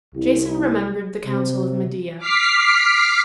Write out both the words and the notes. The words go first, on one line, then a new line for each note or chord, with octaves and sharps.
Jason remembered the counsel of Medea.
C2
C3
D6 F6 B6 C7